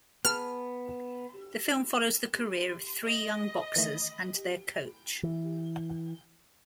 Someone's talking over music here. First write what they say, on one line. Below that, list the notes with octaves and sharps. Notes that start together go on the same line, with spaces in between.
The film follows the career of three young boxers and their coach.
B3 G#4 A5 F6
D#5
D#3 E3 A3
E3